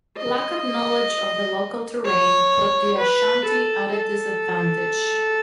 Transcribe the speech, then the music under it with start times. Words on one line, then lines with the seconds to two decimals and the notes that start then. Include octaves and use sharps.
Lack of knowledge of the local terrain put the Ashanti at a disadvantage.
0.17 D#5
2.05 C#5
2.99 B4
3.45 A4
3.92 A4